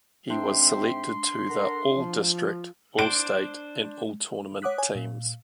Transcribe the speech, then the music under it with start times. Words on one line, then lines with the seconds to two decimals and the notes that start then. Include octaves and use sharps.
He was selected to the all-district, all-state and all-tournament teams.
0.30 G#2 C4 D4 E5 G5 C6
1.49 A4 A#4 E5 F#5 A#5
1.96 F3 F4
2.99 D4 C5 D7
4.62 C#5 F#5 D6 D#6 F#6 B6
4.78 C#5 G#5
4.95 A#2